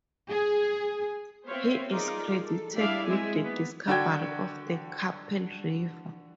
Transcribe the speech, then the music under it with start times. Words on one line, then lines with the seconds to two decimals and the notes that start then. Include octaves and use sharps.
He is credited with the discovery of the Capel River.
0.29 G#4
1.48 B3 C4 C5 C#5 E5 F5
1.88 D#4 F4 G#4 A#4 D5
2.47 A4
2.77 G3 D4 E4 D5 E5 F5
3.07 G#3 C4 E4 E5 G#5
3.40 A#3 B3
3.88 D3 D4 F#4 G5 G#6